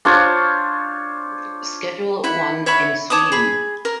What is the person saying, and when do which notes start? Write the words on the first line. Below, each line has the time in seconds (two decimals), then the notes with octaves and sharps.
Schedule One in Sweden.
0.05 D4 F4 C5 C#5
2.24 E4 F#5 B5
2.66 C#5 E5 F#5 B5
3.10 C#5 A5 D6 D#6
3.32 G#4 B5
3.85 A#4